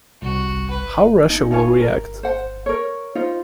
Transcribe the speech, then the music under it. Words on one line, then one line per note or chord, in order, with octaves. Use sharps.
How Russia will react?
C2 F#4
B4
D#4
D#4 F4 C#5 G#5
A#4
C5 F#5
A#4 C#5
D#4 F4 C5